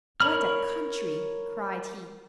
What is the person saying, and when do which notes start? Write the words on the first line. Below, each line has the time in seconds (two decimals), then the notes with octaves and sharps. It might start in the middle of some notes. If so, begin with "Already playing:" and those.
"What a country!" cried he.
0.20 A#4 C#5 B5 F6